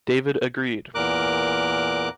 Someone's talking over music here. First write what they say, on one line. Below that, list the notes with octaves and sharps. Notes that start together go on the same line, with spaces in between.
David agreed.
E2 A#2 A#4 D6 F#6